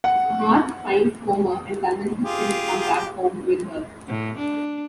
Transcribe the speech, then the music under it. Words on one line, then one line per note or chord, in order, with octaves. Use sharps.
Marge finds Homer and convinces him to come back home with her.
F#5
F4 G4 G#4
A2
D4